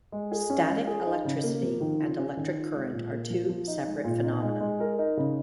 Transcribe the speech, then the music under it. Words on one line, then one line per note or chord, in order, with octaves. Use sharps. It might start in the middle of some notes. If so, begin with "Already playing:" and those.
Static electricity and electric current are two separate phenomena.
G#3
G#4
C#4
G#3
G#4
D#4
C#3
A#3
F3
D#3
F4
C#4
D#3
F4
G#3
A#2
A#3
F3
F3
D#4
G#3
A#2
D#4
G#3
G#3
A#4
D#4
C#3